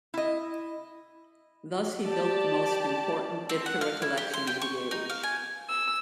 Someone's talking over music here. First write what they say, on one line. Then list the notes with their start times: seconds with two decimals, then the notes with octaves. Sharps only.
Thus he built the most important Diptera collection of the age.
0.14 E4 D#5
2.01 G4 D5 A5
3.49 C4
3.66 F#5
3.81 F5
4.02 E4
4.17 G4
4.34 C6
4.47 G5
4.62 C#6
4.91 D#4
5.10 F5
5.23 G#5
5.67 E6